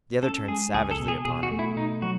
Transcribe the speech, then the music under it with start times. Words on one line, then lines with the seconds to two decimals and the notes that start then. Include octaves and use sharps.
The other turned savagely upon him.
0.23 C#4 A4
0.48 G#3 G#4
0.74 C#2 G#4
0.91 A4
1.00 B2
1.08 G#4
1.25 B2 G#4
1.43 F#4
1.51 A3
1.59 E4
1.76 B2 D#4
2.02 F#3 F#4